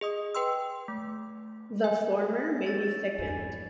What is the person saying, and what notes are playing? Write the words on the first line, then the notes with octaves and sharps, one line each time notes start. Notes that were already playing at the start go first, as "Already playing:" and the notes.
The former may be thickened.
G#4 D#5 D#6
B4 G5 C6 E6
A3
G#5
C#5 E6 G6 A6
F2 G#2 E3 F#3 A3 G#5